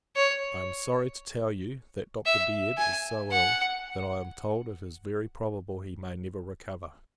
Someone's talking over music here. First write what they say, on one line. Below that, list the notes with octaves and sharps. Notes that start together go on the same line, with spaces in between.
I am sorry to tell you, that Dr. Baird is so ill, that I am told it is very probable he may never recover.
C#5
E5
G#5
F#5